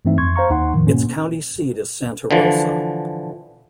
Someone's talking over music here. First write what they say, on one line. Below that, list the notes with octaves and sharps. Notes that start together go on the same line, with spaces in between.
Its county seat is Santa Rosa.
G2 E3 A3 C4 D#4 E5
F2 C6 C#6 G#6
C5 F5 A#5 C#6
D#2 D#4 F#5 C6
E2 A2 D#3 F3
G#2 B2 A#3 C#4
D3 E3 F3